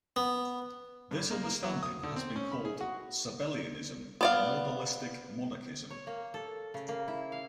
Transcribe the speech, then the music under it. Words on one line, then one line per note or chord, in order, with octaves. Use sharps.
This understanding has been called Sabellianism and modalistic monarchianism.
B3
G2
A#3
A#3
F#3
D#6
D3
C4
C#4
B5
G#4
F#4
B3 D5 F5
C#5
A#3
A4
C#3
A#3
E4
F5